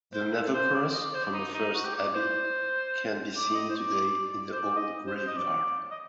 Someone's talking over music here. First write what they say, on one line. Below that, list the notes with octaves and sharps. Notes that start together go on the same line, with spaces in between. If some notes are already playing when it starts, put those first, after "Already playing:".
The Nethercross from the first abbey can be seen today in the old graveyard.
C5
A4
C5
D5
D#5
D5
C5
D5
D#4
D#4
F#4
G4
D5
D5
C5
D5
D#5
C5
D5
C5
D5
D#5
C5
C5
D#5
D5
D#5